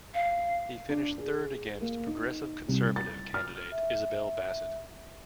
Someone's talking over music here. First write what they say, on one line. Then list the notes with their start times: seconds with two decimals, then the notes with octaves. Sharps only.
He finished third against Progressive Conservative candidate Isabel Bassett.
0.14 F5
0.90 D4
1.18 G#4
1.81 A#3
2.07 D#4
2.69 C2
2.96 A6
3.34 F6
3.72 E5